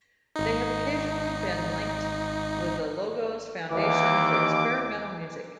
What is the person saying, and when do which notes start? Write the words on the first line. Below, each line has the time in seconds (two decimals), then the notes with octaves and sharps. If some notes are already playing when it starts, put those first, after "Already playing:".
They have occasionally been linked with the Logos Foundation for experimental music.
0.36 G#1 D#4
3.71 D#2 E3 D6